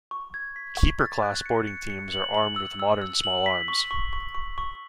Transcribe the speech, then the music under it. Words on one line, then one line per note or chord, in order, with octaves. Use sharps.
Keeper-class boarding teams are armed with modern small arms.
C#6
G#6
B6
C#6
A6
F#6
C#7
C#7
C#7
F#7
F#7
E6
E6
E6
F#7
B6
C#6
C#6
C#6
C#6
C#6